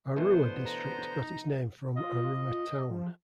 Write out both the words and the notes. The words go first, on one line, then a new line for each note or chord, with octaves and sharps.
Arua District got its name from Arua town.
B2 D3 E3 A3 B3 C5
A#5
D#4
F4 D#5
F3